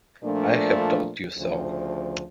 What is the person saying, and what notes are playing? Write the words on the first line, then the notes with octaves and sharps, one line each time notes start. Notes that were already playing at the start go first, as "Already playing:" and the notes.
I have told you so.
A#2 F3 A3 D4
D2 C#3 F3